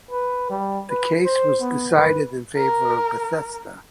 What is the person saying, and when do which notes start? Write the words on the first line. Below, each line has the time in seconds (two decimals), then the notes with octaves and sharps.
The case was decided in favor of Bethesda.
0.10 B4
0.50 G3
0.89 B4
1.24 C5
1.61 B3
1.96 B4
2.56 A#4